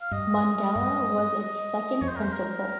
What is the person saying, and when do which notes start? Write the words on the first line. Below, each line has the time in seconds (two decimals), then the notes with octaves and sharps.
Mundella was its second Principal.
0.01 F5
0.11 G2 D#5
0.75 G2
1.38 D#5
2.01 F2 C#5
2.09 C5
2.16 A#4
2.23 C5
2.33 A#4